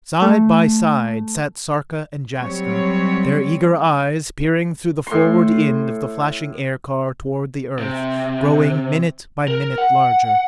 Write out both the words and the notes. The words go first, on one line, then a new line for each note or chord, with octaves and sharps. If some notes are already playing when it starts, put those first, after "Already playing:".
Side by side sat Sarka and Jaska, their eager eyes peering through the forward end of the flashing aircar toward the Earth, growing minute by minute larger.
A3
F#3 G3 C4 C#5
A2 C6
C3
A#4
F#5